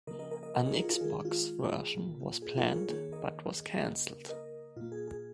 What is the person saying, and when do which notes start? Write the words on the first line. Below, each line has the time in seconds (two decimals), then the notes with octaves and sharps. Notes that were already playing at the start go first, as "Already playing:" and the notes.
An Xbox version was planned, but was cancelled.
0.07 C#3 F3 A#3 A#4 D#5
0.19 A#4 D#5
0.31 A#4 D#5
0.43 A#4 D#5
0.54 A#4 D#5
0.66 G#4 C#5
0.78 F4 A#4
0.90 F4 A#4
1.01 D#3 G#3 G#4
1.25 F4
1.95 A#2 A#3
2.42 G#4
2.57 F4 A#4
2.73 G#4 C#5
2.88 D#3 A#3 G#4 C#5
3.12 A#4 D#5
3.83 C#3 A#3
4.29 A#4 D#5
4.76 A#2 A#3 F4
4.92 G#4
5.08 G#4